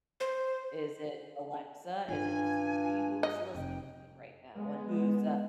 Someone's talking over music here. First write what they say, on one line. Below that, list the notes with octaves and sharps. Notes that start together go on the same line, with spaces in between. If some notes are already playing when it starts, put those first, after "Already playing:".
is it Alexa, is it Siri, who's listening to me right now, and who's, uh,
C5
G2 D#3 F4 G#5
D#5
F1 G5
G#3 B3